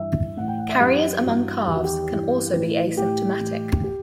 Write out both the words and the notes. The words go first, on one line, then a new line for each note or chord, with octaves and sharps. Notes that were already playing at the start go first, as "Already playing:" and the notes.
Carriers among calves can also be asymptomatic.
Already playing: G2 E3 E5
A2 E3 F#5
G5
F#5
E5
F#2 E3 G4
G2 E3 F#4
E2 D#3 G4
F#4
G4
G2 E3
A2 E3 B4
A2 E3 G4
A2 E3
G4